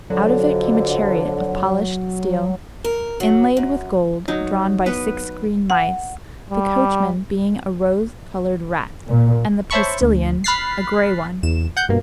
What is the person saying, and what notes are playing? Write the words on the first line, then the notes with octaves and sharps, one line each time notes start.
Out of it came a chariot of polished steel, inlaid with gold, drawn by six green mice, the coachman being a rose-coloured rat, and the postilion a grey one.
F2 D3 F#3
A#4
F#3
F#2
F#3 D#4
B3 B4
F#5
G3
A#2
C5 C#5 E5 A5 B5 C#6
D2
B5 F6 F#6 A6 B6 C7
E2 E7
F#5 G6
G2 B2 A#3